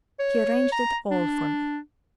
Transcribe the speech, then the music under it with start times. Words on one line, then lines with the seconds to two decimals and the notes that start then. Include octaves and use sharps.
She arranged it all for me.
0.20 C#5
0.72 A#5
1.11 D4